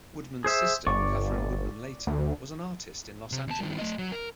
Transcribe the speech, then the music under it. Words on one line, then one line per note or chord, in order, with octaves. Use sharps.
Woodman's sister, Kathryn Woodman Leighton, was an artist in Los Angeles.
G#4 C5 E5
G1 D5 C#6 D6
D2
C3
D#2 A5
G2 D#3
A3 D#5
F#3
A#4